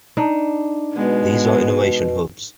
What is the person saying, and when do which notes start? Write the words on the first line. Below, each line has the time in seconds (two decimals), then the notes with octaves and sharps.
These are innovation hubs.
0.17 D4 D#4
0.93 B2 G#3 B3